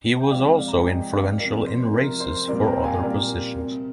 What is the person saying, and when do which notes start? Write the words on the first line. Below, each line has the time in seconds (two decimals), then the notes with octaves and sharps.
He was also influential in races for other positions.
0.20 G5
0.30 C3 F3 G#3 C4 D5 F5
0.58 D5 F5
0.68 A#5
0.77 G#5
0.85 C3 F3 G#3 C4 D#5 G5
1.13 D5 F5
1.39 C3 F3 C4 A#4 D5
1.67 C5
1.94 C3 F3 C4 A#4
2.20 C5
2.48 A#2 G3 C4 A#4 D5
2.66 G5 A#5
2.84 F5 G#5
3.02 A#2 G3 C4 A#4 D5
3.56 C3 G3 C4 A#4